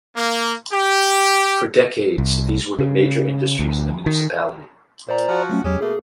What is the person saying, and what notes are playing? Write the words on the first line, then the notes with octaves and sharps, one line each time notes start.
For decades these were the major industries in the municipality.
A#3
G4
C2
C#3
D2
D#3
A#2 C5 D5 A#5
F3 F#4
F#3 A3 C#4
E2 F#3 G#3 C#4 G4
B2 A3 A#3 G#4